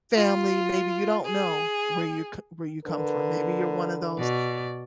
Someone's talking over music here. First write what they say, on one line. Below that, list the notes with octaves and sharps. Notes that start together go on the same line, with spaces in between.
family, maybe you don't know where you c where you come from, maybe you're one of those
F4
G#4
D3 A#4 B4
B2 D5